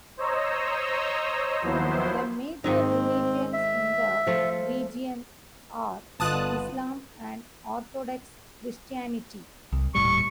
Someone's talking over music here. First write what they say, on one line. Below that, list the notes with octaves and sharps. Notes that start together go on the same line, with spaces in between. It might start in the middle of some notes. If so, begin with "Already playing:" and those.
The major religions in the region are Islam and Orthodox Christianity.
C5 C#5 D#5 A#5 E6
D#2 F3 F#3 B3 E4 C5
G#2 D#3 C4 D#4
E5
F3 A3 F4
G1 D3 B3 F4 D#5 A5 D#6 F#6
C2
D#1 A2 G3 C#6